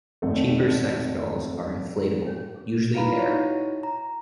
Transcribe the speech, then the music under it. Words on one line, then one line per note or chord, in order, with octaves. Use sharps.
Cheaper sex dolls are inflatable, using air.
G#1 F2 C3 A3
E4 F4 B4 F5 A#5 B5
D#4 E4 F#4 C#5
A#5